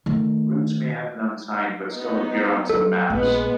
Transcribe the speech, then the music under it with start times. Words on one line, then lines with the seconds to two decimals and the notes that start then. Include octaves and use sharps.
Routes may have been unsigned, but still appeared on some maps.
0.06 D#3 A3
1.89 B3 D#4
2.69 F#3 A4
3.10 A#1 G#3 B3 B4